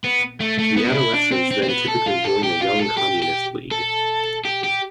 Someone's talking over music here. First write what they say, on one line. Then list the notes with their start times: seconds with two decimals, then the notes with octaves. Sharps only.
The adolescents then typically join the Young Communist League.
0.04 B3
0.40 A3
0.59 A3
0.77 B3
0.87 D4
0.95 E4
1.14 D4
1.32 C4
1.51 C4
1.63 C4
1.69 B3
1.88 A4
2.06 F4
2.25 A4
2.43 G4
2.61 F4
2.80 A4
2.98 G4
3.22 G4
3.71 A4
4.45 G4
4.64 G4